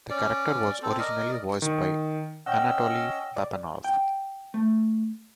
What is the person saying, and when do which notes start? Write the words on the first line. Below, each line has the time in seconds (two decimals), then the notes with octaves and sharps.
The character was originally voiced by Anatoli Papanov.
0.10 C#4 D5
0.82 C4 A4
0.99 A#4 D5 D#5
1.62 D#3
2.46 C#4 D#5 F#5 G5 E6
3.36 D5
3.84 G5
4.54 A3